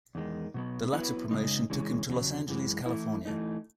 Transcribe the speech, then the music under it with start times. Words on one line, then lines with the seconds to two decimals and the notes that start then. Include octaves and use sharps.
The latter promotion took him to Los Angeles, California.
0.15 E2 D#3 G#3
0.54 B2 F#3 B3
0.93 F#3 B3 E4 B4
1.31 F#2 C#3 G#3 D#4
1.70 C#3 E3 G#3 C#4
2.09 E2 C#3 F#3
2.48 F#2 E3 G#3
2.86 E3 A3 E4
3.25 E3 A3 D#4